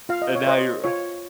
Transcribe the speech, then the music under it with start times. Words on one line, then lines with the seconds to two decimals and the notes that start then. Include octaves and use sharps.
and now you're
0.09 F4 F5
0.22 D#5
0.35 C#5
0.47 C5 D#5
0.84 F4 C#5